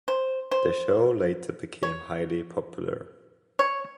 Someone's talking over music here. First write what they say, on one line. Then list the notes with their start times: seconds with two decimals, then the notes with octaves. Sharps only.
The show later became highly popular.
0.08 C5
0.51 C5
1.83 C#5
3.59 C#5